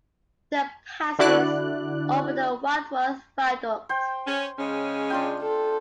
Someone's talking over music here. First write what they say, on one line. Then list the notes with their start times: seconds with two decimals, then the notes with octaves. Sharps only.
It then passes over the Wadworth Viaduct.
1.19 D3 D4 E4 F#4 D5 F#6
3.89 C5 G5
4.27 C#4
4.59 C#3 G#3 C#4
5.10 D4 F4 G5
5.42 A4